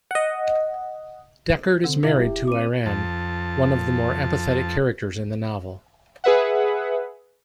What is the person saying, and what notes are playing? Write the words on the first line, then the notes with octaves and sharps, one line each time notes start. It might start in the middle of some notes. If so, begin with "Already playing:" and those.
Deckard is married to Iran, one of the more empathetic characters in the novel.
D#5 F#5
D3 C4
C3 E4 E5 F5
D#1 G4
C4 D6 D#7
F2 A5
G#4 B4 E5 F#5